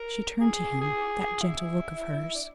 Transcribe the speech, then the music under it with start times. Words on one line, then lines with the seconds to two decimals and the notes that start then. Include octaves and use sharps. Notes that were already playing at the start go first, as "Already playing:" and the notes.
She turned to him that gentle look of hers.
Already playing: A#4
0.41 G#4
0.81 G#4
1.21 G#4
1.41 E4
2.35 D4